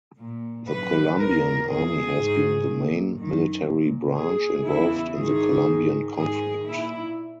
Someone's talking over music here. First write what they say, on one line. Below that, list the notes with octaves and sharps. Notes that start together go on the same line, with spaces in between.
The Colombian Army has been the main military branch involved in the Colombian conflict.
A#2
F#2 C#3 E3 B4
E2 B2 A#4
E2 B2 G#4
G#2 D#3
A#2
F#2 D#3
A#2
A#2 G#4
E2 C#3 E3 E4
G#2 D#3 G#4
G#2 D#3
G#2 D#3 G#4
A#2 E4